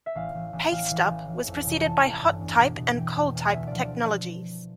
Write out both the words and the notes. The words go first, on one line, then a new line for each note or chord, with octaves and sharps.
Paste up was preceded by hot type and cold type technologies.
E5
A1 F5
A1
A1
G5
A1 F5
E3
A1
E3
F2
F1
E3 A5
A1
G2
E2
B2
B2
E3 G5
E2
E2
D2 E5
F3 D5
D5